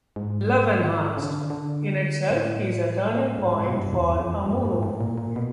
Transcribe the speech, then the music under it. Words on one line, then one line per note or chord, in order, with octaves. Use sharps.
"Love Enhanced" in itself is a turning point for Amuro.
G#2
C#3
D3
D3
A2
G#2
G#2
B2
G2
E2
F2
G2
G#2
A2
A#2
A#2
B2